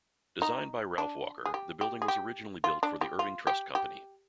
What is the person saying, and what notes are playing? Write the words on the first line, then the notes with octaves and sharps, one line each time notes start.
Designed by Ralph Walker, the building was originally built for the Irving Trust Company.
D#4
D4
G#4
G4
G4
G#4
G4
F4
D4
G4
F4
G4
G4